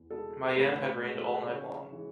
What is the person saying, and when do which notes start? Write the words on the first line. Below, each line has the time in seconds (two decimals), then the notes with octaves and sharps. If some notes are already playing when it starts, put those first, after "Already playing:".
Mayenne had rained all night long.
Already playing: E2
0.11 B2 G#3 B3 A4
0.56 A2 B4
0.70 C#5
0.82 B4
1.01 G#3 B3
1.19 A4
1.33 B4
1.46 C#3 C#5
1.92 E3 G#3